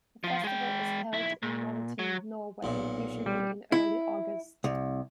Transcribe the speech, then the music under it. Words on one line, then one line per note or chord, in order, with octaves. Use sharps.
The festival is held in Notodden, Norway, usually in early August.
F3 F4
G#3 G5
B1 E4
A#2
F#3
B1 A#2
G3
E4
C2